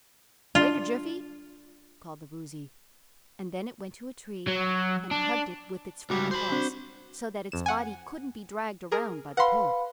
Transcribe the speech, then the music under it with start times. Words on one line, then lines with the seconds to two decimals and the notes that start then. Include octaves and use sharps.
"Wait a jiffy," called the Woozy, and then it went to a tree and hugged it with its front paws, so that its body couldn't be dragged around by the pull.
0.55 D4 F4
4.48 F#3
5.11 D4
6.10 C#2 G3 F#4 D6
6.31 C5 B5
6.52 C4 D4 F#4
7.52 F2 E7
7.66 F#5 G#5
8.92 G#4 A#4
9.37 B4 F5 F#5 B5 C6